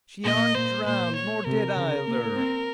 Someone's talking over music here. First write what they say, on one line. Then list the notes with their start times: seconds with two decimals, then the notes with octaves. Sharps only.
She arn't drowned; nor dead eyther!
0.24 A#2 D#5
0.55 A#2 C5
0.86 A#2 C5
1.15 C#5
1.45 C3 A#4
1.77 C#3
2.07 A#3
2.36 C4